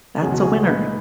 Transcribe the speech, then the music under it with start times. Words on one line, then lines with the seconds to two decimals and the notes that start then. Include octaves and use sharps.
That's a winner!
0.22 C#2 B2 F#3 C#4 G#4
0.31 F#4
0.40 G#4
0.66 A#2 G#3 D#4 B4